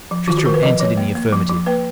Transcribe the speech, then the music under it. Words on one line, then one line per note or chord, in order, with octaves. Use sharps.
Tristram answered in the affirmative.
F3
D#3 F4
F#4
D#3 A#4
B4
F3 D#5
F3 C#5
A#3
A#3
F3
F3
A#3 B4